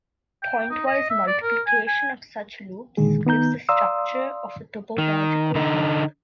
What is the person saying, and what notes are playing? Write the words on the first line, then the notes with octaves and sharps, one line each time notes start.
Pointwise multiplication of such loops gives the structure of a topological group.
G5
D#4
D#5
E5
D5
A#4
G#5
G#5
A#2 D3 D#3 G#3 G#4
D#3 B3 D#4 A#5 G6
D5 F5 A#5 C6 D#6 E6
D#3
D3 D#4